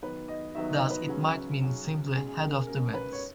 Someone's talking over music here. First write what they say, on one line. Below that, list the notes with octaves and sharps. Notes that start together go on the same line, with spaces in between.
Thus it might mean simply 'Head of the Winds'.
D#3 F#3 B3 B4
D#5
D#3 F#3 B3 E5
D#5
B4
C#3 F#3 C#4
C#3 F#3 C#4
B2 G#3 C#4 G#4
G#4
A#4
G#4
B2 G#3 C#4 A#4
B4
C#5